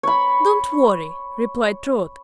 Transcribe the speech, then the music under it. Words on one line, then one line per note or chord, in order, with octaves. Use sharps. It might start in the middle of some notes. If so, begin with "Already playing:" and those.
"Don't worry," replied Trot.
C#5 B5